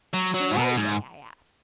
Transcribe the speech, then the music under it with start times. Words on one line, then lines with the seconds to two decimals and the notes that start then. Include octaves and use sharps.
"Who are they?" I asked.
0.14 F#3
0.34 F#3
0.51 G#2
0.56 B2
0.77 G#2